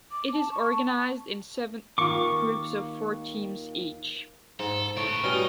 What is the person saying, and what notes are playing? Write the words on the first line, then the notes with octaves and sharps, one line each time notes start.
It is organized in seven groups of four teams each.
D6
A5
C#6
A5
D#2 D#3 F4 C#6 D6
G#2 A4
C#2 A2 B3 C#6 D7
B2 G3 C#4 D#4 F6 D#7 G7